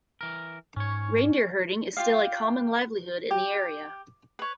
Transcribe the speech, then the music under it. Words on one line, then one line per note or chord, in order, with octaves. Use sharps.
Reindeer herding is still a common livelihood in the area.
E3 A#4
G#2 C#4 C#5
F4 G4 F5
G4
B4 C#5